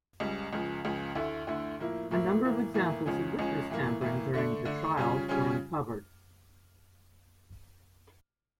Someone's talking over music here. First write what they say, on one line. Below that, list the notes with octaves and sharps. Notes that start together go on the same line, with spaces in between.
A number of examples of witness tampering during the trial were uncovered.
C#2 C#3 G3
C#2 C#3 F3
C#2 C#3 F3
D2 D3 A3 E4
D2 D3 A3 E4
A2 F3 A#3 E4
A2 F3 A#3 E4
A2 E3 A#3
A2 E3 A#3
C#2 C#3 F3 C#4
C#2 C#3 F3 C#4
A2 E3 A#3
A2 E3 A#3
D3 A3 D4
D3 A3 D4
C#3 G3 C#4 F4
C#3 G3 C#4 F4